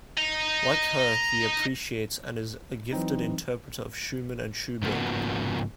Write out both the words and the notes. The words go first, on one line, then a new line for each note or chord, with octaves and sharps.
Like her, he appreciates and is a gifted interpreter of Schumann and Schubert.
D#5 A#5
E3 F#3 C4 D#4
G#2 C#3 F3 A#3 B3 F#4